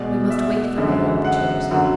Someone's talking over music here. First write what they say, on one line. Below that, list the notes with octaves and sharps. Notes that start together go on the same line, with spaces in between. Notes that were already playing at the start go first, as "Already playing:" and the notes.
We must wait for another opportunity.
Already playing: B2 G#3 D5
E5
F#2 D3 G#3
F#5
F#2 D3 F#3 A3 F#5